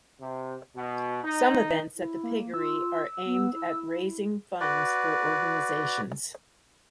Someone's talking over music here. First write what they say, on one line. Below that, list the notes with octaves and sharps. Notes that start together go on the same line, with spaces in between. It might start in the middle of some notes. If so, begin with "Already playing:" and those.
Some events at the Piggery are aimed at raising funds for organizations.
C3
B2
D#4
E4
A#3
F4 E6
B3
E4
F#4 B4 D5